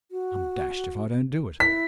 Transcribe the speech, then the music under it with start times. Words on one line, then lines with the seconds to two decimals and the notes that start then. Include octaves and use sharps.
'I'm dashed if I don't do it.
0.11 F#4
1.60 E4 B6